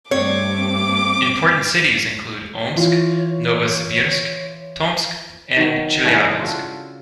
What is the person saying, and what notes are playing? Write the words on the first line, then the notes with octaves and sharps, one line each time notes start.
Important cities include Omsk, Novosibirsk, Tomsk and Chelyabinsk.
G2 A3 C4 C#5 D6
E3 F4 C#5
D#3 F#3
C#3 E3 A3 D4
F4 F#4 A4